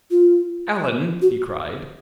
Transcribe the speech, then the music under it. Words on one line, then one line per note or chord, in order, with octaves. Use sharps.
"Alan!" he cried.
F4
F#4